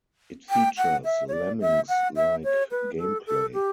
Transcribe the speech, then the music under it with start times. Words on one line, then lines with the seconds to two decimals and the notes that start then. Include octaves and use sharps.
It features "Lemmings"-like gameplay.
0.50 G5
0.77 F#5
1.05 E5
1.28 C#5
1.33 D5
1.61 E5
1.89 F#5
2.16 E5
2.44 C#5
2.71 B4
2.98 A4
3.27 A4
3.54 G4